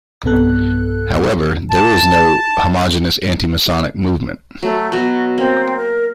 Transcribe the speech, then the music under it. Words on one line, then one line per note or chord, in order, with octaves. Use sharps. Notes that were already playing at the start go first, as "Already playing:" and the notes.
However, there is no homogeneous anti-Masonic movement.
B1 G2 C3 B3 A4 F#6
A5
F#3 A3
B2 F#3 F#4
A#3 C4
A#4